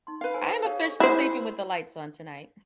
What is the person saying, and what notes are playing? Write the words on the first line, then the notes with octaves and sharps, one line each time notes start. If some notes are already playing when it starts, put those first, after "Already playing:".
I am officially sleeping with the lights on tonight.
D#4 C6
B4 F5
A#4 C5 G#5
G4 G#4 C#5 F5
A4 D5 C#6
E4 C5